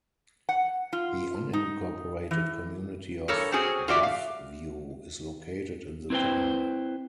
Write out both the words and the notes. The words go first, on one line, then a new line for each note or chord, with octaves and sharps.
The unincorporated community of Bluffview is located in the town.
F#5
F4
D#4
E3
G2 A4 A#4 C#5
C4 C#4 F#4 G#4
F4 F#4 D5 E5
F5
C4 E4 B4 C5 G5